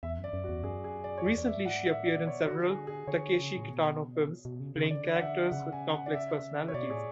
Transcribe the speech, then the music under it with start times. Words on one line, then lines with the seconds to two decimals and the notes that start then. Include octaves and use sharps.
Recently she appeared in several Takeshi Kitano films playing characters with complex personalities.
0.03 E2 E5
0.18 F#2
0.24 D5
0.33 F#2
0.44 F#4
0.49 E2
0.63 F#2 G#4
0.84 G#4
1.04 D5
1.18 C#5
1.24 E2 D5
1.38 D5
1.46 E5
1.56 G#2
1.65 F#5
1.86 A2 E5
2.06 D5
2.17 B2
2.27 C#5
2.47 D3 F#4
2.68 G#4
2.87 G#4
3.07 D3 C#5
3.39 C#3
3.57 A2
3.69 B2
4.45 B2
4.60 C#3
4.76 C#3
4.90 D3 D5
5.16 F#5
5.21 E5
5.52 C#3 F#5
5.72 G#5
5.93 F#5
6.06 D5
6.13 E5
6.68 C#5
6.74 B2 D5
6.89 A2 G#4